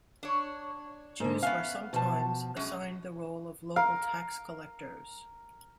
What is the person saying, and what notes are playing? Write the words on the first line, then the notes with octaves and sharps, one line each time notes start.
Jews were sometimes assigned the role of local tax collectors.
D4 C#5
G#2 D3
B3 C#4 E5 F5
B2 F3 A5
F#2 G#3
A#4 F5